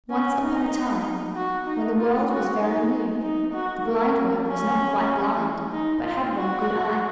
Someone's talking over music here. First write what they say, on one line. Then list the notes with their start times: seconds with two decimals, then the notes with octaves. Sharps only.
Once upon a time, when the world was very new, the Blindworm was not quite blind, but had one good eye.
0.10 C#4
0.41 D#4
1.36 F#4
1.67 D#4
1.97 F4
2.30 F#4
2.60 D#4
3.23 D#4
3.54 F#4
3.86 A#3
4.47 C#4
5.72 D#4
6.04 F4
6.35 F#4